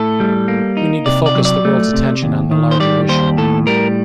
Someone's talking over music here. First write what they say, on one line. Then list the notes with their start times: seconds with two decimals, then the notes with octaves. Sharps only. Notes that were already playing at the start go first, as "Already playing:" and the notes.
We need to focus the world's attention on the larger issue.
Already playing: A2 A3 A4
0.20 G3
0.48 A#3
0.77 D#4
1.06 C3 D5
1.26 D5
1.35 F#3
1.45 D5
1.65 A3
1.93 C3
2.22 D#2
2.51 D#3
2.71 C5
2.80 G3 D5
3.09 D#2 C5
3.37 A2 A4
3.67 G3 A#4